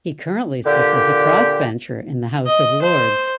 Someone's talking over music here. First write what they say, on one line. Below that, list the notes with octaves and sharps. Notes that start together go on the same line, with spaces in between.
He currently sits as a crossbencher in the House of Lords.
A#2 D3 G4
D#5
C5